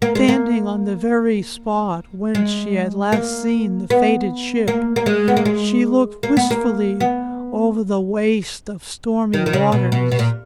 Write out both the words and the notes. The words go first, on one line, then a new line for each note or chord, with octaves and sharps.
Standing on the very spot whence she had last seen the fated ship, she looked wistfully over the waste of stormy waters.
A#3
G#3
A#3
G#3
A#3
B3
A#3
A#3
G#3
B3
A#3
G#3
A#3
B3
A#3
B3
D#3
D#3
C#3
B2
B2
B2
A#2